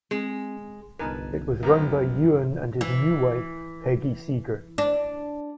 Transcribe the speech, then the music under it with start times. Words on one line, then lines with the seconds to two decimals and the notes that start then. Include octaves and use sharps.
It was run by Ewan and his new wife, Peggy Seeger.
0.11 G#3 C4
0.99 G1 C2 B3 D#4 A#4 B4 G#5 A5
1.63 C2 F#2 F3 A#3 B3 A#4 C5 A#5
2.81 E3
4.78 D4